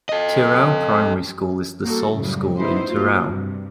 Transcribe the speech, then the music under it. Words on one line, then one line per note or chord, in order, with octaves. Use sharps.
Tirau Primary School is the sole school in Tirau.
A4 D#5
G3 A#3 F#4 A4
F#2 A2 C#3 F#3 G3
B3 D#4 E4 B4 C5
A3 A#3 F4 F#4
G2 C3 G3